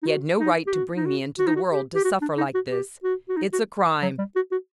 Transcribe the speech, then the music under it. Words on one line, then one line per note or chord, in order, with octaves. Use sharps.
He had no right to bring me into the world to suffer like this. It's a crime.
D#4
F#4
D#4
G4
F#4
D#4
F#4
F#4
D#4
F#4
G4
G4
F#4
D4
D#4
F#4
G4
F#4
F#4
D#4
F#4
F#3
G3
F#4
F#4